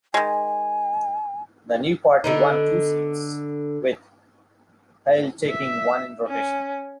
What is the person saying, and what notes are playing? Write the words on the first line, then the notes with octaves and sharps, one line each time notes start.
The new party won two seats, with Pa'il taking one in rotation.
D#3 G#3 G#5
D3 B3 D#4
E5
C#4